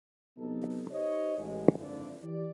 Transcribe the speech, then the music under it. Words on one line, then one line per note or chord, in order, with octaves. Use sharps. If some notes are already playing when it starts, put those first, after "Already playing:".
He expects them to carry messages for him to their kindred.
C3 F#3 B3 D#4 A4
D#4 G4 C5 C#5 D#5
A1 G#3
F#1 F2 G#2 D3 E4 D5
E3 G4 D5